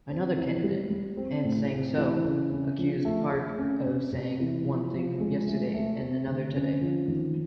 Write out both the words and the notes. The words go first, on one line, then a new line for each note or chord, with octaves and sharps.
Another candidate, Ahn Sang-soo, accused Park of "saying one thing yesterday and another today".
C4
E3
G3
G3
C4
A2
C4
E3
C#3
C#4
F3
A3
G#4
C#4
C3
C3
E3
F3
F3
G#3
A3
A3
C4
D3
C#4
F3
D#3